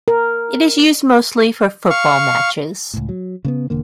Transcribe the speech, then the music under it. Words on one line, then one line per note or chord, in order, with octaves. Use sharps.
It is used mostly for football matches.
A#4
F5 C#6
C#2 A2
F#3
C#3 A#3 B3
E1 D3 A#3